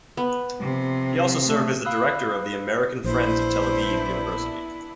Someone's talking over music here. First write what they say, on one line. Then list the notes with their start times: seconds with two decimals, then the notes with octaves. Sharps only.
He also served as the director of the American Friends of Tel Aviv University.
0.17 B3
0.61 C3 F3
1.45 A3
1.85 F5 B5 D#6 E6 F#6
3.04 A#1 B3 D4 E4 C5